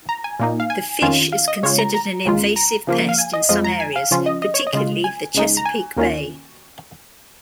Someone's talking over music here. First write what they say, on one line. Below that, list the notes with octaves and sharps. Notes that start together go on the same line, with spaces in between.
The fish is considered an invasive pest in some areas, particularly the Chesapeake Bay.
A#5
G#5
A#2 A#3 D#4
F5
G#5
F2 D#3 C#4 F4
F5
D#5
C#3 G#3 F4 C#5
A#5
A#5
D#2 C#3 G#3 F4
A#5
C#3 F3 A#3
F5
G#5
D#5
F2 F3 G#3 F4 D#5
A#5
G#5
F5
C#3 F3 C#4 F4
D#5
D#5
C#5
D#5
C#3 G#3 F4
G#5
C#2 C#3 G#3 D#4
A#5
G#5
D#2 D#3 A#3 C#4 F4